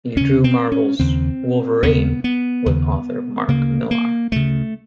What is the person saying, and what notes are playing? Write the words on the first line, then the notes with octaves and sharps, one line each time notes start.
He drew Marvel's "Wolverine" with author Mark Millar.
D#2 C#3 C#4
C4
C#4
D#2 C#3 C4
D#2 C#3 B3
B3
D#2 C#3
D2 C#3 A#3
A#3
D2 C#3 A3